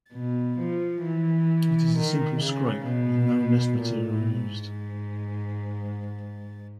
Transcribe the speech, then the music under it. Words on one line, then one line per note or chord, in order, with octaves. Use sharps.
It is a simple scrape with no nest material used.
B2
F3
E3
D#3
C#3
B2
A#2
A2
G#2